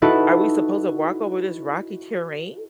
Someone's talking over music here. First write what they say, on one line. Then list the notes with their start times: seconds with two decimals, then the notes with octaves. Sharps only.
"Are we supposed to walk over this rocky terrain?"
0.02 D#4 E4 F#4 A4 B4